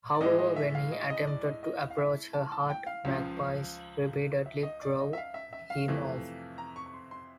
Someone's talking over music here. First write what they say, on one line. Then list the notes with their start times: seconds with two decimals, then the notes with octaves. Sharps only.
However, when he attempted to approach her hut, magpies repeatedly drove him off.
0.15 D5
0.21 A2 E3 G#3 D#5
0.39 D#5
0.56 E5
0.75 F5
0.92 D#5
1.10 D#5
1.27 D5
1.46 D#5
1.63 D#5
1.90 F5
1.98 E5
2.33 A5
2.52 A5
2.69 G5
2.87 F5
3.05 C#2 C#3 F3
4.46 E5
4.63 D#5
4.81 D5
5.00 D#5
5.13 E5
5.17 F5
5.34 E5
5.53 E5
5.70 F5
5.88 F2 C3 E3 A3
6.58 A#5
6.76 C#6
6.86 C#6
6.94 C6
7.11 C6